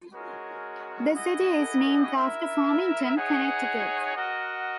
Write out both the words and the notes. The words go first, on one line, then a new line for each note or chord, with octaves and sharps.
The city is named after Farmington, Connecticut.
G#3 C#4 F#4 A#4
E4 G#4 D#5 F#5
E4 A#4 E5
D#4 G#4 C#5 F#5
F#4 A#4 D#5 F#5